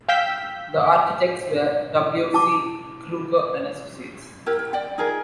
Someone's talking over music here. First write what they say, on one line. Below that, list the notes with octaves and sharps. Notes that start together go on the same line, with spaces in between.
The architects were W. C. Kruger and Associates.
F5 G5 E6 G6 B6
E4 A5 D6
E4 G4 A#4
G5
D5 G5
D#4 F4 G#4 A#4